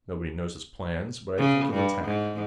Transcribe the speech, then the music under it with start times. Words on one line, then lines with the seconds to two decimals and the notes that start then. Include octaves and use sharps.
Nobody knows his plans, but I think he'll attack.
1.38 C#3
1.73 G2
2.05 G#2